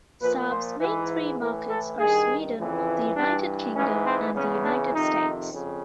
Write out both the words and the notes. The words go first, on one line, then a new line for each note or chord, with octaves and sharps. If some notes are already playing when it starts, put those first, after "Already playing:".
Saab's main three markets are Sweden, the United Kingdom and the United States.
A#2 F3 B4
C5
G#2 E3 B4
A2 E3 A#4
A4
G2 D#3 G#4
F2 C#3 E3
G2 E3 D4
G#2 E3 C#4
C4
E2 C#3 E3 C#4
D4
F2 C3 D#3 D#4
F2 C#3